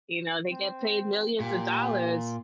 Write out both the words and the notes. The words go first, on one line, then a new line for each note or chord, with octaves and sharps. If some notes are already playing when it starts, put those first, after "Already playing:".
you know, they get paid millions of dollars
C4
A#2 G4